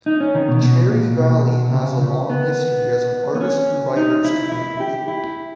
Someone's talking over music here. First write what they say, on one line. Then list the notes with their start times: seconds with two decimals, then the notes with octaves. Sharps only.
Cherry Valley has a long history as an artist and writer's community.
0.06 D#4
0.20 C#4
0.35 D#3
0.48 B2
0.63 B2
0.90 A#2
1.17 B2
1.73 C#3
2.01 C#3
2.30 B3
3.35 B3
3.41 C#4
3.96 D#4
4.25 E4
4.52 E4
4.80 G4
5.08 E4